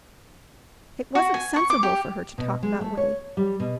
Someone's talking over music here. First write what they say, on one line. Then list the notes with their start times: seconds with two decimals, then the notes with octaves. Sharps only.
It wasn't sensible for her to talk that way.
1.15 F#4
1.34 G#5
1.56 C#6
1.70 D6
1.83 G4
2.38 B2
2.63 G#3
2.81 A3
2.97 C#5
3.37 G3
3.60 B2